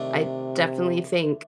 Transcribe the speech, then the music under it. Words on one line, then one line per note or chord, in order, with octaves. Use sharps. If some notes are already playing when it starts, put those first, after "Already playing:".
I definitely think
Already playing: C3 D#3 A3 D4